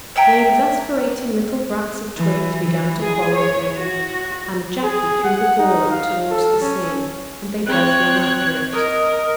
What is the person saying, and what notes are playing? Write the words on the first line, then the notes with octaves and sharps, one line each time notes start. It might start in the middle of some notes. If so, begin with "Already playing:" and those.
The exasperating little brats of twins began to quarrel again and Jacky threw the ball out towards the sea and they both ran after it.
C#5 E5 G5 A#5
E3
E3
G#4
C#5
F#4
G#4
F#5
D#4
F5
A4
C#4
C4 C#5 F#6
A#4 D#5